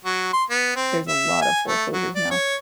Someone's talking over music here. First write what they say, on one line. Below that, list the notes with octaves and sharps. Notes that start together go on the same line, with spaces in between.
there's a lot of foreclosures now,
F#3
C6
B3
C4
E5
G#5
A3
F#3
D5
C#5